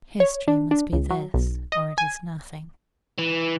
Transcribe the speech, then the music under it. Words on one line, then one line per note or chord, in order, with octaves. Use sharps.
History must be this or it is nothing.
C#5
D4
D4
C#2
F#3
B1
D#5
G#5
E3